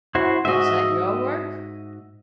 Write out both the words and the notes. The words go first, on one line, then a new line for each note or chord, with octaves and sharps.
"Was that your work?"
F#2 E4 F#4 C5
G#2 F#4 D#5 E5